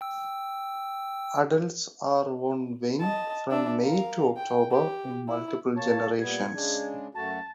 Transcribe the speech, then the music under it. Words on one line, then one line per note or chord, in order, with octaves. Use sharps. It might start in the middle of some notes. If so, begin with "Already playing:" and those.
Adults are on wing from May to October in multiple generations.
G5 E6
D#5 A5
D4 E5
A#4 F5
G5
G4
E4
A#3 C#5 A5
A#2 G3 B3 G#6
C#3 G#3 D4
F#2 A3 F#4 A5